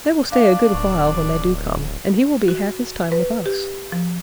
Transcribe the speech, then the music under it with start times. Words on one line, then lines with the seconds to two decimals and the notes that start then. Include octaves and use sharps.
They will stay a good while when they do come, and he will be half his time with us.
0.32 D4 F5
0.74 D1 C#6
2.48 F#4
3.12 B4
3.46 G4
3.92 F3